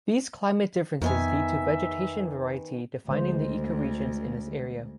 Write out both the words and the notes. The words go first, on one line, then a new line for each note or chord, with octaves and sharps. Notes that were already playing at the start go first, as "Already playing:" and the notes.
These climate differences lead to vegetation variety defining the ecoregions in this area.
F2 D#3 B3 E5 G#5
D2 D3 G#3 C5